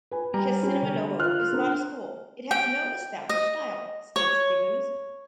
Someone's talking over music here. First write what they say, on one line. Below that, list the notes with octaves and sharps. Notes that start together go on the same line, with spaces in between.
"Because Cinema Novo is not a school, it has no established style," states Diegues.
B4 G#5
G3 A#5
C#4 G4
D3 A4
F4 F6 F#6
C4 D4 A#4
G5
D#5
C#5